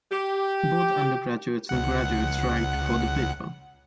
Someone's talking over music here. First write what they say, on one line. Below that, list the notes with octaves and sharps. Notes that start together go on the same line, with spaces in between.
Both undergraduates and graduates write for the paper.
G4
C#2 F#5